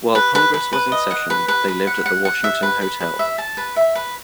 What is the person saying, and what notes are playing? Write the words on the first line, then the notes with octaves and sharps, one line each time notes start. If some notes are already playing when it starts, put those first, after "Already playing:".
While Congress was in session, they lived at the Washington Hotel.
B4
B4
B4
B4
D#5
F#5
B4
B4
B4
F#5
F#5
F#5
E5
B4
B4
B4
E5
A5
B4
E5
B4